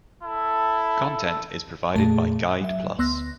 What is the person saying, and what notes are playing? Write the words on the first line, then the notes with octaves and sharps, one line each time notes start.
Content is provided by Guide Plus.
E4 A4
F2 A#2 A3 G#4 A5
F#3 E5
D2 B3 C6 E6 F#6 A#6